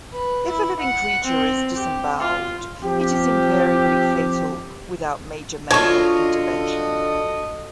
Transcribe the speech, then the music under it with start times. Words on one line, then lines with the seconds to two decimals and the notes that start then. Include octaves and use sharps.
If a living creature is disemboweled, it is invariably fatal without major medical intervention.
0.12 B4
0.48 E4
0.80 F#5
1.24 C4
1.75 G4
2.20 F4
2.83 F3 C4 G4
5.71 D3 F4 F#4 A4 C#5 D#5 A5 C#6